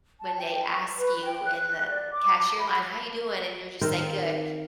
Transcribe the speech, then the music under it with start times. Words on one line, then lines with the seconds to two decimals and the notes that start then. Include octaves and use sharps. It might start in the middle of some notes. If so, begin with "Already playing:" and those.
when they ask you in the cashier line, "How you doing?" And your just say, "Good.”
0.20 A5
0.38 G5
0.66 C#6
0.97 B4
1.23 G5
1.42 F#6
1.68 F#6
1.91 D5
2.11 D6
2.58 B5
3.81 D#3 C4 A#4